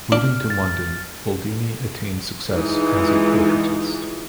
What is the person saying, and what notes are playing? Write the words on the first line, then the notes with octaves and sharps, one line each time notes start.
Moving to London, Boldini attained success as a portraitist.
D4 F6
A6
E3 G#3 D#4 F4